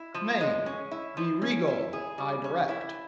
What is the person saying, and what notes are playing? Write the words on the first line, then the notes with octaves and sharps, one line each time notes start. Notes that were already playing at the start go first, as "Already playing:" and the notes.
Maine--Dirigo: I direct.
Already playing: E4
F3
G#3
C#4
E4
F3
C#4
E4
G#4
G3
C#4
E4